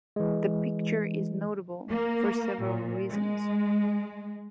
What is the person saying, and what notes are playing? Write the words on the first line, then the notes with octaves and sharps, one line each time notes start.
The picture is notable for several reasons.
E3 G#3
A#3
A#2
G#3